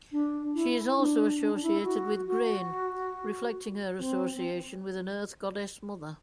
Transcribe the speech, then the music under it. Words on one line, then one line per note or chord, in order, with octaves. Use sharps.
She is also associated with grain, reflecting her association with an earth goddess mother.
D4
E4
D4
D4
D4
E4
F#4
F#4
C4
C4